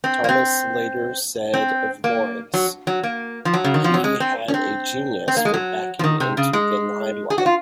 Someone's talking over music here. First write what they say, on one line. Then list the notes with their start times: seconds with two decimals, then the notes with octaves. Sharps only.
Thomas later said of Lawrence, He had a genius for backing into the limelight.
0.04 C4
0.24 A#3
0.29 C4
1.54 C4
2.04 A#3
2.54 F#3
2.87 F#3
3.03 A#3
3.45 F3
3.54 F#3
3.64 C#3
3.74 D#3
3.84 F3
3.94 F#3
4.04 G#3
4.20 C4
4.48 C#4
4.54 C4
5.28 C4
5.37 A#3
5.45 G#3
5.54 F#3
5.99 F3
6.04 D#3
6.20 C3
6.37 C#3
6.53 G#3
7.30 G#4
7.38 F#4
7.46 F4